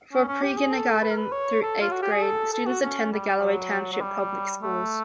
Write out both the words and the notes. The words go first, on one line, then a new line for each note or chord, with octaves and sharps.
For pre-kindergarten through eighth grade, students attend the Galloway Township Public Schools.
C#4
C#4
G4
G#4
A4
B4
A#4
B4
C#5
A4
F4
F#4
G4
G#4
A4
A4
F#4
C#4
G3
F#3
F#3
G3
A3